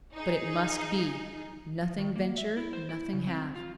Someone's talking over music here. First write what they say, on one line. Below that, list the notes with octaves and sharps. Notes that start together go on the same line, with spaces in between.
But it must be;--nothing venture--nothing have.
D#4 G#4
F3
D#3
A#3
E5
E4
C5
E4
C#3
C4
F4